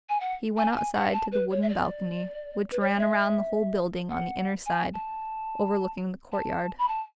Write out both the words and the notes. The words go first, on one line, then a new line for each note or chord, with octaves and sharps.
He went outside to the wooden balcony which ran round the whole building on the inner side, overlooking the courtyard.
G#5
F#5
G#5
A5
G#5
F#5
A5
B4
C#5
E5
D5
B4
C#5
D5
E5
F#5
G#5
A5
A5
B5
A5